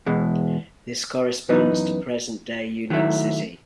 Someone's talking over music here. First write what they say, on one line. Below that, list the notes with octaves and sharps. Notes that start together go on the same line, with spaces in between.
This corresponds to present day Union City.
E2 B2 G#3
F#2 E3 B3 D#4
D#3 F#3 A3 E4